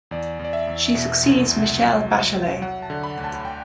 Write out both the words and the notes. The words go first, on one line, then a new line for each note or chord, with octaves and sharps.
She succeeds Michelle Bachelet.
E2 D5
E2
D5
E5
E2
B2
C2
C2
F#3
F#3
F#3
F#3 F#5
A5
D3
B5
D2
A5
G5